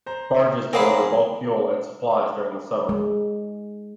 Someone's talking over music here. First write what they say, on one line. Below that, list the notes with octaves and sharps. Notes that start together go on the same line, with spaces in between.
Barges deliver bulk fuel and supplies during the summer.
C5 A#5
C4 G#4 A#4 F5 F#5 G#5 B5 D6
G#3